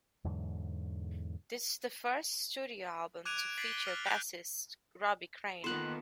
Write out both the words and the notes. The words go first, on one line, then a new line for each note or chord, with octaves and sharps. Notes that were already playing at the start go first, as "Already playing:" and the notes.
This is the first studio album to feature bassist Robbie Crane.
E2 G#2 D3 F#3
D6 F#6 G#6 D7 D#7 F7
D7
A6 B6 C7 D7 F#7
G7
F6 F#6
F#6 G6 A6 D7
D#3 A#3 B3 F4 A4 C6 F#6